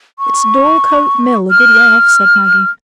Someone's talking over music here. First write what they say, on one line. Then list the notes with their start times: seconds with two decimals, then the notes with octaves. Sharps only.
"It's Dorlcote Mill, a good way off," said Maggie.
0.19 C#6
1.51 F6